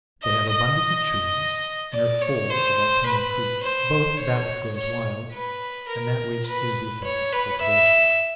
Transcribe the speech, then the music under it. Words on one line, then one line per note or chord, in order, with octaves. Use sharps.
They have abundance of trees, and are full of autumnal fruit, both that which grows wild, and that which is the effect of cultivation.
D#5
D#5
D5
C#5
C5
B4
C5
C#5
C#5
B4
A#4
B4
C#5
B4
E5